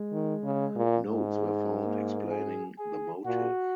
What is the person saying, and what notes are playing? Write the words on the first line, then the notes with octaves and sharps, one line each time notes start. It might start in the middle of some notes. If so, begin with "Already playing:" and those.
Notes were found explaining the motive.
Already playing: G#3
D#3
C#3
A#2
G#2
G#3
A#3
G#4
G#4
A#2 F#4